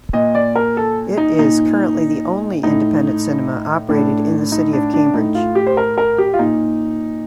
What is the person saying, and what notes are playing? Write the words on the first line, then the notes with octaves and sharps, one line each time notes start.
It is currently the only independent cinema operated in the city of Cambridge.
A#2 D#5
D5
A#4
A4
D#4
A#2 D#4
A2 D#4
A2 D4
D#4
D4
D4
A2 D#4
F4
G4
C5
A#4
A#4
G4
F4
A#2 D#4